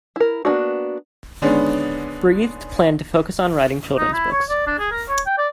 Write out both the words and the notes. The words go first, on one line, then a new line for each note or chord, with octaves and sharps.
Breathed planned to focus on writing children's books.
E4 A#4
A#3 B3 C#4 D4 F#4
D3 D#3 G#3 B3 C#4 D4
D#4
E4
C#5
D5
D4
G#4
A#4
C#5
G5
D5